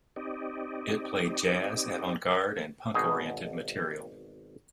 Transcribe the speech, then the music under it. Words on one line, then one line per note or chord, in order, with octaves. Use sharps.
It played jazz-, avant-garde- and punk- oriented material.
C4 D#4 G4 D5 D#5
G#1 B2 D#4 G#4 G#5